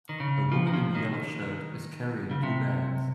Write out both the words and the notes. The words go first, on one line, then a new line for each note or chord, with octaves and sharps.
A woman in a yellow shirt is carrying two bags.
D#3
C#3
F3
D#3
F3
D#3
C#3
C3